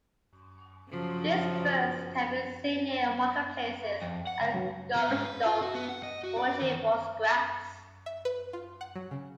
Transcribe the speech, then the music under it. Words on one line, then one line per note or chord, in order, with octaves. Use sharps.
These birds can be seen near marketplaces and garbage dumps, foraging for scraps.
C#3 F3 F#3
F2
F#5
C#2
F#3
B3
G#2
B4
F4
F#4
B3
F#5
D#5
F#4
D5
D#3
E5
B4
F4
F#5
F#3
C#3